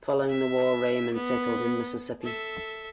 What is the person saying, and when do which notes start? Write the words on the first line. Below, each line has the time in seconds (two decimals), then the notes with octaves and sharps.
Following the war Raymond settled in Mississippi.
0.30 E5
1.14 B3
2.21 A4 E5